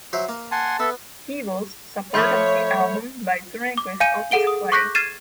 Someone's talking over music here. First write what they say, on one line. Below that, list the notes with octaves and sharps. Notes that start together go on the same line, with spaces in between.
Peebles supported the album by touring with Otis Clay.
F#3 C5 E5
A#3
F#5 G#5 A5 C6
B3 A4 E5
F3 A3 F4 C#5 E5 B5 G6
D6
F5 G#5 G6 C#7 D#7
G#4 A4 F#5 D7 G7
D#6
C#6 D6 F#6 G6 A#6 B6
F6 G#6 A6 C7 D#7 E7